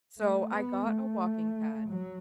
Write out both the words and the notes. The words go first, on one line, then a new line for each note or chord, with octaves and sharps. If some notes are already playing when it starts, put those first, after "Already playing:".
So, I got a walking pad
A3
B3
A3
F#3